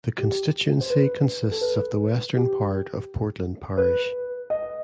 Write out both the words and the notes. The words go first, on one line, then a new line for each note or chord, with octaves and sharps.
The constituency consists of the western part of Portland Parish.
G4
C5
B4
A4
B4
G4
B4
D#5